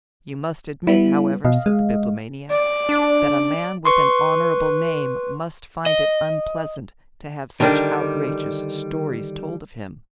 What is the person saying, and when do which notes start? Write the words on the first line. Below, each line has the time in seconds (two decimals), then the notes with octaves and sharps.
"You must admit, however," said the Bibliomaniac, "that a man with an honorable name must find it unpleasant to have such outrageous stories told of him."
0.87 G3 B3 E4
1.45 B2 D#5 F5
1.66 G#3
2.50 D5
2.89 D4
3.85 B4 C6 C#6
5.86 D#5
7.60 D3 D#3 G3 D4